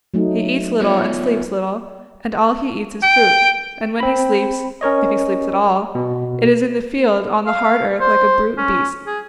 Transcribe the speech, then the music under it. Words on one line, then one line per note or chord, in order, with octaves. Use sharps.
He eats little and sleeps little, and all he eats is fruit, and when he sleeps, if he sleeps at all, it is in the field on the hard earth like a brute beast.
F#3 A3 D#4
B3 F4 C#5
G5
C4 B5
C#4 A#4 C#5 D#5
B2
F5
C5
C#4
G#4